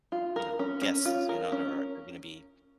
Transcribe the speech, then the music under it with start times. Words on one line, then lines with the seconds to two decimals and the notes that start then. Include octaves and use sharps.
you know, guests, you know, that are are gonna be
0.12 F4
0.36 A#4
0.59 C#4
0.82 C#4
1.05 F4
1.29 A#4
1.52 C#4